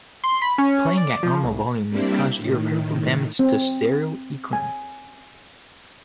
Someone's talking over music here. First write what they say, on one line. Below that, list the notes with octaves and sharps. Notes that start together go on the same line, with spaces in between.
Playing at normal volume may cause irreparable damage to stereo equipment.
C6
B5
C#4
D5
F3
C2
G3 A#3 C4 D4 E4 G4
A2 D#3
C4
G#5